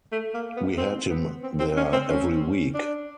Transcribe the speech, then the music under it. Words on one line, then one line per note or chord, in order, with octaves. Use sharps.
We had him there every week.
A3
A#3
B3
C4
B3
C4
C4
C#4
C4
C#4
D4